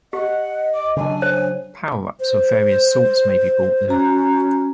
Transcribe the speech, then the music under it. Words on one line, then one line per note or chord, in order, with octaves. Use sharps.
Power-ups of various sorts may be bought there.
G4 D#5 F#5
D6
C#3 F#3 D4 G#5
C5 C#5
C5
C#4 F#4 A#5